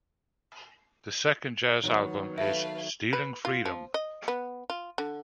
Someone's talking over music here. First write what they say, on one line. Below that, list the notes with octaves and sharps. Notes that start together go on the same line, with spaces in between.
The second jazz album is "Stealing Freedom".
D#3 F#3 B3
A3 B4 E5 F5
B4
F4
F3
D#5
B3
F4
D3